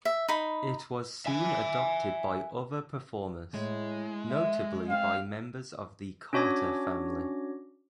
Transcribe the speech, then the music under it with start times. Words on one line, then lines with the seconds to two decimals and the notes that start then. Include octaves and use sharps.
It was soon adopted by other performers, notably by members of the Carter Family.
0.05 E5
0.29 D#4 B5
1.26 E5 G#5
3.54 A2 G#3
4.30 E5
4.90 C4 F5
6.33 C#4 D4 F#4 C#5 D6 A#6